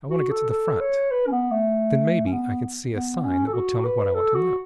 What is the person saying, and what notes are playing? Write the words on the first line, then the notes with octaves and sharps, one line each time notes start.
"I want to get to the front. Then, maybe, I can see a sign that will tell me what I want to know."
F#4
A4
A4
C#5
B4
C#4
B3
A3
C#4
B3
B3
C#4
A4
F#4
B4
A4
F#4